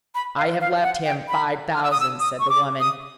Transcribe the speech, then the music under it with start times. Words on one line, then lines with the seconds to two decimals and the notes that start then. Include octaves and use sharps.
"I have left him five thousand," said the woman.
0.15 B5
0.37 F5
0.61 F5
0.83 F#5
1.06 G5
1.28 B5
1.74 F6
1.83 E6
1.91 D#6
2.00 E6
2.20 D#6
2.40 C#6
2.50 D6
2.80 D#6